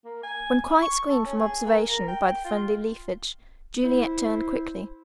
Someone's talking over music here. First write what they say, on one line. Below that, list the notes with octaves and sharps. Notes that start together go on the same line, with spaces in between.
When quite screened from observation by the friendly leafage, Juliet turned quickly.
A#3
G#5
C#6
A4
C#4
G#4
A#3
A#4
G5
F4
E4 C5